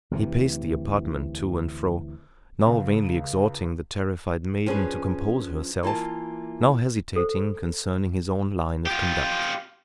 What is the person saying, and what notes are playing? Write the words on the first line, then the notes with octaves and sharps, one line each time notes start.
He paced the apartment to and fro, now vainly exhorting the terrified maiden to compose herself, now hesitating concerning his own line of conduct.
D2 C3 E3
C#2
F3 B3 C#4 D4 G#4 B4
E3 A#3 F4 A5
A4 C5
F4 G4